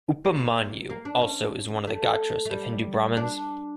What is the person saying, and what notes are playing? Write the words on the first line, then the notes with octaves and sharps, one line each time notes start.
"Upamanyu" also is one of the gotras of Hindu brahmins.
A#3
A#3
D4
C#4
A3
A3
G3
D4